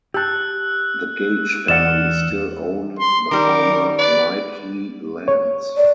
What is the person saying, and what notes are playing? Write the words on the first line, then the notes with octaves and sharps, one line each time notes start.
The Gage family still own the former Knightley lands.
G4 A5 E6 F#6
E2 D5 F#5 E6 F6 C#7 E7
C6
D#3 G3 A#4 D6
B4 D5
C#5
D5